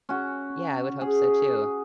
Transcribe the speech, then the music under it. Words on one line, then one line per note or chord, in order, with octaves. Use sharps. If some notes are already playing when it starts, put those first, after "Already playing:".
Yeah, I would hope so too.
C#4 F#4
G#4